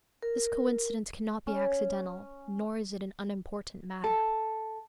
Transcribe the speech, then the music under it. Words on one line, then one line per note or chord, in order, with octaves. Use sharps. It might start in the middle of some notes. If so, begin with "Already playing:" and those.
This coincidence cannot be accidental, nor is it an unimportant matter.
A#4
C#4
A4